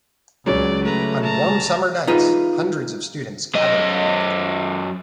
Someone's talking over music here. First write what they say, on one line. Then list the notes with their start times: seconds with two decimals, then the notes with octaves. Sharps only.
On warm summer nights, hundreds of students gather here.
0.46 C#2 C#3 F#3 C#4 D5
0.84 A3 B4 A#5
1.23 A5 A#5
2.07 D#4 F4 G#4 B4 E5
3.55 F#2 D#5